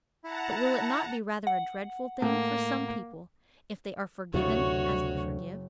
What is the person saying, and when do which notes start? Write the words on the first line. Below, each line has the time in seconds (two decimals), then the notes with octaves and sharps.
But will it not be rather a dreadful thing for some people if they are forgiven as they forgive?
0.24 E4 F#5 A5 A#5
1.47 F#5
2.22 A2 A#3
4.34 F#1 D2 C3 F#4 C#5